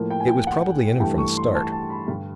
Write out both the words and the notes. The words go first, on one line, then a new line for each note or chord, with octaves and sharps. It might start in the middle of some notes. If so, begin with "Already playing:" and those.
It was probably in him from the start.
Already playing: A2 F3 A#3
G5
G#5
G5
F#5
G2 E3 A3 G5
C#6
C6
A5
A5
B5
G2 D3 G3